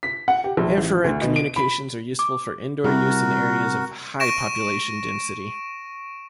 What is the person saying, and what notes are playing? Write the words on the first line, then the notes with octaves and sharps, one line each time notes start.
Infrared communications are useful for indoor use in areas of high population density.
B6
F#5
G4
A#1
A1
D2
B2
D7
B5
D6
C3 G3 E4 F#4 A#4
C#6 A#6 D7 E7